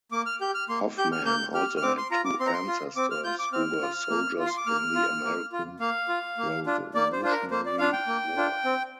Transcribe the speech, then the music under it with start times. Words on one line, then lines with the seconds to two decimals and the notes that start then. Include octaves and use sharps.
Hoffman also had two ancestors who were soldiers in the American Revolutionary War.
0.12 A#3 D6
0.26 F6
0.41 G4 G6
0.54 F6
0.69 A#3 C6
0.98 G4 G6
1.12 F6
1.25 A#3 G6
1.54 G4 F6
1.77 F6
1.82 C4 D6
1.98 C6
2.11 F4 A#5
2.25 D6
2.40 C4 C6
2.47 A#5
2.53 C6
2.68 F4
2.96 C4 D6
3.11 F6
3.24 F4 G6
3.39 D6
3.53 C4 F6
3.82 F4
4.10 A#3
4.39 F4
4.46 C6
4.57 D6
4.66 A#3 F6
4.95 F4
5.24 A#3
5.52 F4
5.80 A#3 F5
6.09 F4
6.38 A#3
6.66 D4 F4
6.95 A#3 D5
7.12 C5
7.22 D4 F4 C5
7.31 A#4
7.51 A#3 C5
7.66 D5
7.79 D4 F4 F5
7.93 G5
8.07 A#3
8.37 D4 F4
8.65 C4